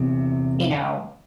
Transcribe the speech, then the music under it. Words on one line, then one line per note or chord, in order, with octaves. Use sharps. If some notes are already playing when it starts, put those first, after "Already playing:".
you know,
Already playing: E2 C3